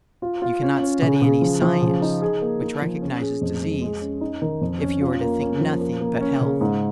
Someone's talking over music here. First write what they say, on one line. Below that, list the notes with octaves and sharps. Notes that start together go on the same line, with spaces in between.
You cannot study any "science" which recognizes disease, if you are to think nothing but health.
F4
F4
C#4
C#4
C#3
C#3
F3
F3
C#3
D#4
G#4
A#3
D#4
F3
C#4
G#4
F2
G#3
G#3
C#4
D#4
D#3
F2
C#4
F4
A#3
C#4
F3
A#3
A#3
C#4
C#3
G#2